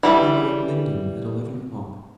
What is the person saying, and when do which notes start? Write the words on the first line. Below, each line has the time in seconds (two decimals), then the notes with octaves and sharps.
We were at Lyndon at eleven o'clock.
0.03 E3 G3 E5